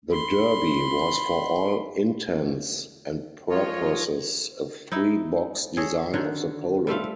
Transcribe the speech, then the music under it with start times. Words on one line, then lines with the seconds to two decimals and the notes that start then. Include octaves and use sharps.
The Derby was for all intents and purposes a three-box design of the Polo.
0.11 B5 C6
3.49 F3 G#3 F4 C#5 D#5
4.92 D#4 E4 D#5
5.77 G#4 A4 C#5 D#5
6.14 D3 D#3 F#4 C#5
6.87 G3 A3 C4 F5